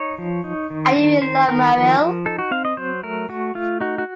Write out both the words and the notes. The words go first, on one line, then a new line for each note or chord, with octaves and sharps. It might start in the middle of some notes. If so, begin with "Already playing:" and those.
Are you in love, Muriel?
Already playing: D#4 C#5
F3
D#4
D#3
D#3
D#3 C5
D#3 A#4
F3
F3
D#4 A4
F#4
C4 F5
D#5
F#3 C5
A3 A#4
A3 F#4
A3 F4
D#4 F#4
F#4